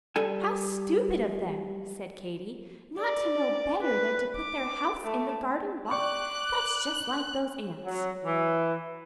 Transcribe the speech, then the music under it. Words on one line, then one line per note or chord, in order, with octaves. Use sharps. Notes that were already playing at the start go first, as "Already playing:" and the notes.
"How stupid of them," said Katy, "not to know better than to put their house in the garden-walk; that's just like those Ants."
G3 A4 G#5
D5
B4
D6
A3
D5 G5 C#6 D6 F#6
F#3
E3